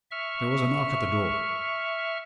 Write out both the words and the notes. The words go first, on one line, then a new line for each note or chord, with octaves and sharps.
There was a knock at the door.
E5 C#6 F6